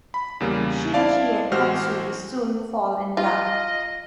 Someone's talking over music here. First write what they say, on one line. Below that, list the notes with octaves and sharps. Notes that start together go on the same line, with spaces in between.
Shinji and Hatsue soon fall in love.
B5
E2 C#3 G3 A#3
C4 E4 D5 F5 A5
A1 G#3 F#4 G4 C5 F6
F4 D#5